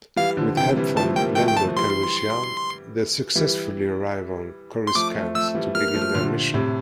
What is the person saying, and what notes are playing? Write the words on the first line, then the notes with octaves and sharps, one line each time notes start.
With help from Lando Calrissian, they successfully arrive on Coruscant to begin their mission.
E3 G3 F5
D3 F3
C3 E3 G5
E3 G3
F3 A3 A5
G3 A#3 G5
F3 A3 G5
G5
F3 A3 A5
F3
E3 G3 C6
E3 G3
C6
F3 A3 D6
F3 A3
F3 A3 E6
E3 G3
G3 A#3 F6
F3 A3
A#2 D3
A2 C3